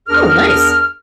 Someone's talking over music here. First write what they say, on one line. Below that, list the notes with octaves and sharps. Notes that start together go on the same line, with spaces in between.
Oh, nice.
E2 D4 G#4 A#4 F6